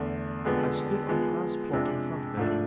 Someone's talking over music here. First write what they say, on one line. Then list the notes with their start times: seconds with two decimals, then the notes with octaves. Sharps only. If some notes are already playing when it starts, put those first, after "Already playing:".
I stood on the grass-plot in front of it.
Already playing: E2 D3 A3
0.45 F2 D3 G#3 B3
1.09 F3 G#3 B3
1.73 F2 C3 G#3 D4
2.37 G#2 F3 A3 D4